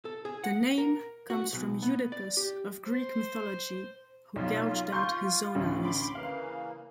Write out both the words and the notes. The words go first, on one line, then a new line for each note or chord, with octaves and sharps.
The name comes from Oedipus of Greek mythology, who gouged out his own eyes.
A4
G#4
F#5
A#4
F#4
B1
B3
D5
G4
C5
B1 F4
C6 C#6 G6
A1 D2
B5 C6 D6
C#3 E3 A#3 F5